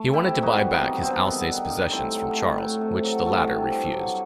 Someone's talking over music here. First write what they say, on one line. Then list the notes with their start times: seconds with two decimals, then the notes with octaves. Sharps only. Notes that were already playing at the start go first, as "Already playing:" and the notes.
He wanted to buy back his Alsace possessions from Charles, which the latter refused.
Already playing: A3
0.13 C3 E4 G4
0.35 E3
0.42 D#4 F#4
0.58 G3
0.73 B3 D#4
0.80 C3
1.02 G2 C4
1.13 B3
1.24 D#3
1.33 B3
1.47 G3
1.69 G2
1.91 A2 C4
2.14 F#3
2.36 A3
2.58 A2
2.81 C3
3.04 F#3
3.26 A3
3.48 C3
3.70 G2
3.92 F#3